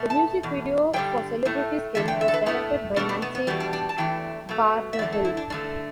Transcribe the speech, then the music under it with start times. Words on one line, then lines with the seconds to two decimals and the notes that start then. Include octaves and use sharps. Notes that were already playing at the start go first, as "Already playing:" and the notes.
The music video for "Celebrity Skin" was directed by Nancy Bardawil.
Already playing: B2 A3
0.10 A5
0.43 E2 B2
0.93 G2 D3 G3 G5
1.45 A2 A3
1.95 E2 D3 A3 E5
2.08 G5
2.21 E5
2.28 A4
2.34 B4
2.46 A2 A3 B3
2.96 B2 A3 D4
3.09 D4
3.22 B3
3.35 B3
3.47 E2 B2 G3 B3
3.60 D4
3.73 D4
3.89 A5
3.98 E2 E3 A3 G5
4.49 B2 A3
4.93 E5
4.99 E2 D5
5.02 D3 A3
5.12 A4
5.25 E4
5.37 D4
5.50 G2 D3 A3 D4